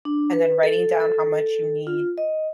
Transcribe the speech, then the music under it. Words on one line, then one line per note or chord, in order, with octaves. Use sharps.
and then writing down how much you need
D4
B4
A4
A4
F4
D#5